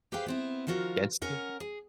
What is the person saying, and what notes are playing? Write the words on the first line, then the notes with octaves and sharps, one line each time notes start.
Against you?
G4 G#4 B4 C5 F5 G5
B3 C4 E4
D#3 F3 F4 F#4 A#4
C#4 A#4 F#5
G#4